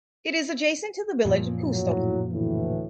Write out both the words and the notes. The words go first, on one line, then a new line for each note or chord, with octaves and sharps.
It is adjacent to the village of Kewstoke.
F#2 A#2 F3
A2 F#3
D2 A2 E3